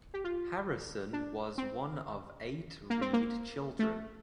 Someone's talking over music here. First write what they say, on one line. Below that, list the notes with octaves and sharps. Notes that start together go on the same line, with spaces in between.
Harrison was one of eight Reed children.
G4
F4
D4
C4
A#3
C4
A#3
A3